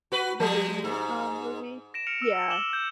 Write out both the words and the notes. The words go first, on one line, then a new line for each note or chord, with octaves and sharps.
The Disney, um, movie. Yeah.
F#4 B4
F3 G3 G#3
G#2 D#4
A#6 D7 E7
F6 C#7 D7 F7
E6
E6 C#7
D6 E7 F#7 G7
G6